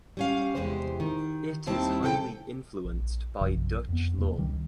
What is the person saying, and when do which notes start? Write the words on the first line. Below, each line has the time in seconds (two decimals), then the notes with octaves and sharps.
It is highly influenced by Dutch law.
0.17 G3 C#4 F5
0.55 E2 C3 G#3 G4 C5
1.00 D#3
1.66 D#2 D#3 G3 C4 E4 A5
2.03 C3 E3 A4 A#4 G5
2.85 A#1
3.41 A#1 F#2 C3 F3
3.89 F2 B3
4.18 E2 B2 A#3
4.37 C#2 D#3 G3